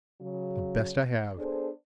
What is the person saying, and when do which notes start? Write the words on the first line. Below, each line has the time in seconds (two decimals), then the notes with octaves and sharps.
"The best I have."
0.21 C#3 F#3
1.37 B3 D4 G#4 A4 C5